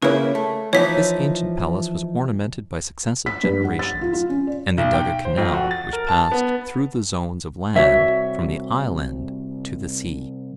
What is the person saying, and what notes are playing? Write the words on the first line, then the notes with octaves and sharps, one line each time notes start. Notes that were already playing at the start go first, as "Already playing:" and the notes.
This ancient palace was ornamented by successive generations; and they dug a canal which passed through the zones of land from the island to the sea.
C#3 A#3 E4 B4 C#5
A3
E3 F3 D#4 C#5 B6
B6
G2
F#5
A6
F4
F4
C#4
D5
B1
G5
C5
F2
F#4
A6
A#4
A5
B3
C2 F#4 C#5 E5